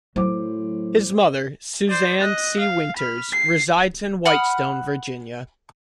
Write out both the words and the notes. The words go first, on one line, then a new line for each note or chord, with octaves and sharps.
His mother, Suzanne C. Winters, resides in Whitestone, Virginia.
A2 F#3 C5 D6
C5 D5
D#5 F#6
F5
B5 F6
C7
F#5 B5 D#6 F6